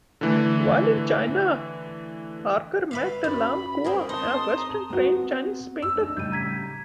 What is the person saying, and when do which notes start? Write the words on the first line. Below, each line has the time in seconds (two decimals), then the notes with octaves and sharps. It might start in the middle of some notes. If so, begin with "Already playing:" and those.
While in China, Parker met Lam Qua, a Western-trained Chinese painter.
0.21 D3 E3 A3
2.91 B4 E5 F5
3.24 F#2 B5
3.84 C4 G#4 A#4
4.09 D#4 A5 C6 D#6
4.55 A#5 D#6
4.90 B3 C4 F#4
5.82 E6
5.96 D4 D#4
6.17 A2 C#3 G3 G6 D#7
6.32 A#5 G#6 B6